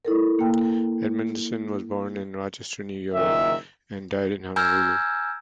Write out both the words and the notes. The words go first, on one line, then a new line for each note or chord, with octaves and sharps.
Edmundson was born in Rochester, New York, and died in Honolulu.
E4 A4 A#4
A#3 G5
F#1 A#2 D#3 E5
G#5 A#5 E6 F6 G6 G#6